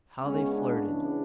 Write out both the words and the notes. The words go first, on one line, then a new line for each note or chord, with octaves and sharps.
How they flirted!
C#2 C#3 G#3 B3 C#4
D4
C#2 C#3 E3